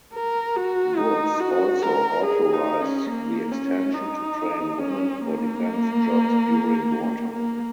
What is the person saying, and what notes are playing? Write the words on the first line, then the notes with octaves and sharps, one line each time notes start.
Woods also authorized the extension to train women for defense jobs during wartime.
A#4
F#4
D#4
F#4
A#4
G#4
D#4
C#4
A#3
C#4
D#4
C#4
A#3
A#3